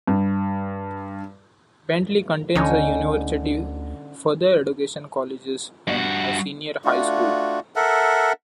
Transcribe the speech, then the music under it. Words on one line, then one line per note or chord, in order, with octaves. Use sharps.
Bentley contains a university, further education colleges and a senior high school.
G2
D2 D3 C#4 D#4
G2 F#4
A3 D4 F4 F#4
A4 A#4 E5 F#5